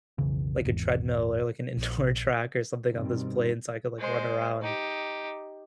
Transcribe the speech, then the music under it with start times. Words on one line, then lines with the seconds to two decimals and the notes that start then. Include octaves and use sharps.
like, a treadmill or like an indoor track or something on this plane so I could, like, run around
0.18 B1 F2 C#3 E3
0.65 G#1 E2
1.77 A#1
2.93 G2 B2 D#3 G3 C4
3.98 G#3 C5
4.62 D#4 G4